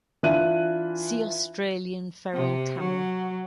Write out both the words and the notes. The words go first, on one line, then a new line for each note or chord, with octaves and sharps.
See Australian feral camel.
E3 D4 F4 E5 F#6 D#7
C3
F#3